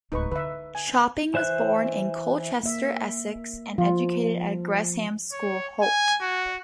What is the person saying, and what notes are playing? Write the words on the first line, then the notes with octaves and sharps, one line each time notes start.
Chopping was born in Colchester, Essex and educated at Gresham's School, Holt.
D1 G#3 D#4 B4 C#6
D3 B4 E5
G#5
E3 C5 E5 F#6
A#3 E5
F3 F4
C#5
G#5
F#4